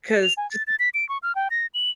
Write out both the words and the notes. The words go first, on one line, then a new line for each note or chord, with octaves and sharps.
'cause jus
F7
G#5
A6
A6
B6
D7
C#6
F6
G5
A#6
F#7